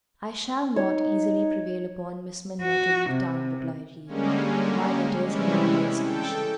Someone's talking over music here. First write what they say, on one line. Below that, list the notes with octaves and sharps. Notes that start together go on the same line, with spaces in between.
"I shall not easily prevail upon Miss Milner to leave town," replied he, "while it is in the highest fashion."
D#4 C#5
F#4
C3
D3 G3 G#3 A#3 C#4
C3 E3 G3 G#3 C#4 E4
A4 G5